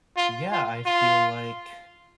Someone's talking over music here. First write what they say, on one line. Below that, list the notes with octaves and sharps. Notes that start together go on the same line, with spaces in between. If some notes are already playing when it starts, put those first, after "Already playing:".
Yeah, I feel like
F4
F4
F4